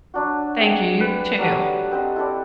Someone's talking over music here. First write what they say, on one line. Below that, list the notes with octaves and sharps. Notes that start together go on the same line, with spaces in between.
Thank you, you, too.
F#3 D4 F#4
C4 G#4
B4
F#3 G3 A4 F#5
C4 C5 D#5
E4 A4 D5